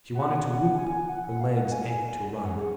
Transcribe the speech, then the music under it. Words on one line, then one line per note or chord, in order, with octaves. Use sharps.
She wanted to whoop, her legs ached to run.
F#5
F#5
G#5
F#5
F5
F#5
G#5
G#5
F#5
G#4